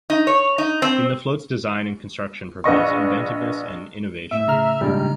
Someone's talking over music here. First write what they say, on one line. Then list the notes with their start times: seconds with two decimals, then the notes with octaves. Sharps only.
In the float’s design and construction prevails inventiveness and innovation.
0.10 D#4
0.27 C#5
0.58 D#4
0.82 C4
2.64 A#1 B4 D#5 C#6
4.31 A2 E5
4.48 C#3 A#5 F6
4.81 A#1 G#2 G3